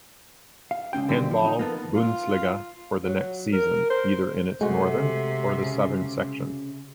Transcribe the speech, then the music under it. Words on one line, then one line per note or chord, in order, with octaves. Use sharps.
Handball-Bundesliga for the next season, either in its northern or the southern section.
F5
C#2 G#2 C#4 G5
D3 D#3 G3 C4
F3
D#4
A#3 B3 A4
F4
F#3
A#4
C5
C3 G#3 A3 F#4
C#3